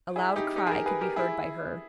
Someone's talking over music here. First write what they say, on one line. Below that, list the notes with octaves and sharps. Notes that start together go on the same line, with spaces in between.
A loud cry could be heard by her.
E4 G#4
D#4 G4
D#4 G4
G#4
G4 A#4
G#4 B4
G4 A#4
E4 G#4